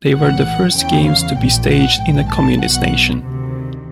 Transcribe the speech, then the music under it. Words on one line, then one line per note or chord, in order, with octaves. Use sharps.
They were the first Games to be staged in a communist nation.
A#1 A2 E3 F#5
E2 C#3 E3 G5
F5
A#1 A#2 G5
F#5
A#1 G#2 D#3 G5
A5
B1 B2 F#5
D2 C3 D#3